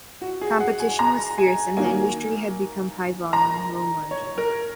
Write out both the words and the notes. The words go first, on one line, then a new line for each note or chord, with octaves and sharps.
Competition was fierce and the industry had become high volume, low margin.
F#4
G#4
F#5
G#5
A#5
G#5
D#3 F#3 A#3 G#5
A#5
C#5
A#4